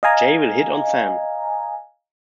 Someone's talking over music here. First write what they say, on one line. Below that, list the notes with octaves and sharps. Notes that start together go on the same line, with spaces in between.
Jay will hit on Sam.
D#5 F5 G#5 A#5